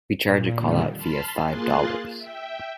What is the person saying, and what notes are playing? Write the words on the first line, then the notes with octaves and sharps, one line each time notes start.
We charge a call out fee of five dollars.
A#2
F2 A#2 D3 D#3 G3
A5 B5 C6 F6
A#3 F4 G#4 C6 F#6 A6
E5 G5